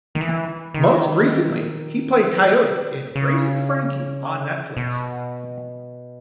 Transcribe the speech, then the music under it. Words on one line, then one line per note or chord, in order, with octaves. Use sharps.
Most recently, he played Coyote in "Grace and Frankie" on Netflix.
D#3
E3
D#3
E3
D#3
C#3
B2